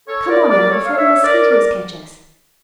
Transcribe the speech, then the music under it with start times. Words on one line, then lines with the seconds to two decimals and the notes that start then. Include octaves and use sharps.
Come on, now, before the mosquitoes catch us!
0.08 A4 C#5
0.28 A#4 D5
0.49 A#4 D5
0.69 A4 C#5
0.85 F5
0.96 C#5 E5
1.24 A#4 D5
1.51 A#4 D5